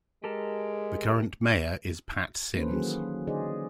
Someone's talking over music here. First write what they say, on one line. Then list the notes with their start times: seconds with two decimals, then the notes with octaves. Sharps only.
The current mayor is Pat Sims.
0.24 G#3 G4 A4 A#4
2.55 E3 A#3 C#4 A4 B4 C5
2.69 D#3 F#3 A#3 C#4 F#4 G#4
3.27 D3 D#4 G#4 C5 D5 D#5